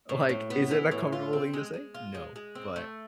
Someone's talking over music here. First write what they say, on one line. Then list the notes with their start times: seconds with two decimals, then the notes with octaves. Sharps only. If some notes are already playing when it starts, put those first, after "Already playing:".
Like, is it a comfortable thing to say? No, but,
0.09 A2
0.29 A2
0.50 B3
0.71 E3
0.91 A2
1.12 F4
1.33 C4
1.54 G#3
1.74 G#3
1.94 F4
2.15 G#3
2.36 G#3
2.55 C4
2.76 A3